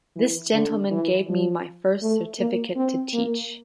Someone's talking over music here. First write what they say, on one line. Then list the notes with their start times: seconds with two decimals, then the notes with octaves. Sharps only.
This gentleman gave me my first certificate to teach.
0.16 E3
0.54 D3
0.91 E3
1.28 F3
2.02 A3
2.39 A#3
2.76 C4
3.13 A#3